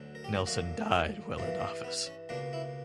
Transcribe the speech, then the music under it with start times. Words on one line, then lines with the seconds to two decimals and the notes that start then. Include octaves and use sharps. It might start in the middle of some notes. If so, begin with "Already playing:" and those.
Nelson died while in office.
Already playing: D2 D3 F#3
0.15 A#4
0.24 G4
0.35 A#4
0.46 F#2 D3 A#3 F#4
1.38 G2 E3 A#3
1.60 A#3
1.84 B3
2.06 C#4
2.29 C#2 B2 A#3 D4
2.53 E4